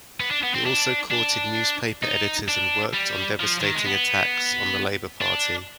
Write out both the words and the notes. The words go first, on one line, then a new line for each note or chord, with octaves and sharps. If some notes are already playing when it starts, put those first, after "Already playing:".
He also courted newspaper editors and worked on devastating attacks on the Labour Party.
B3
D4
B3
C4
D4
D4
D#4
D4
G3
F3
D#3
G#3
B3
D4